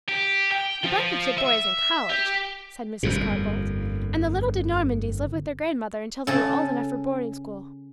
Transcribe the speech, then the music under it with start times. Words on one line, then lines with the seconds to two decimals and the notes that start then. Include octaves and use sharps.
"The Blankenship boy is in college," said Mrs. Carr-Boldt; "and the little de Normandys lived with their grandmother until they were old enough for boarding school."
0.09 G4
0.51 G5
0.83 F3
1.38 E5
2.10 G4
3.03 G1 F2 A#2
6.27 C#3 A4